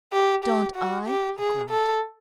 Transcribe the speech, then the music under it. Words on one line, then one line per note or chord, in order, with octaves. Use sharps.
"Don't I?" he growled.
G4
G4
F#4
G4
G#4
A4